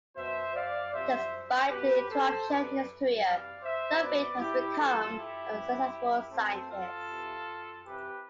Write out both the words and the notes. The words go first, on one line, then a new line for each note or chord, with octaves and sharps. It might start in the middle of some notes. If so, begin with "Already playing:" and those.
Despite the interruption in his career, Ludvik has become a successful scientist.
B2 C5 E5
D5 F5
C3 F3 C5 E5
B2 G4 B4
A4 C5
C3 E3 B4 D5
C3 E3 D5 F5
C5 E5
B2 B4 D5
E4 G4
C3 E3 F4 A4
E4 G4
C3 E3
B2 A3 C4
F4 A4
C3 E3
C3 E3 G4 B4